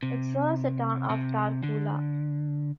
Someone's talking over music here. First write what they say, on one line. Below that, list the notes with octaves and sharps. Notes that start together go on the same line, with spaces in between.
It serves the town of Tarcoola.
C3
C3
D3